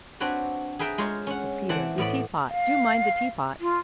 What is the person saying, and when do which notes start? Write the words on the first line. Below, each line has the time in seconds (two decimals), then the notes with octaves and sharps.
"Oh, Peter--the teapot--do mind the teapot!"
0.20 C4 D4 F#4 B4 C#5
0.79 G#4 B4 E5 G5 A#5
0.98 G#3 F4 C5 C#5 A#5
1.27 C#4 F#5
1.69 E3 C4 D5 F#5 G#5 A5
1.98 A2 B3 D5 B5
2.50 F5
3.60 F4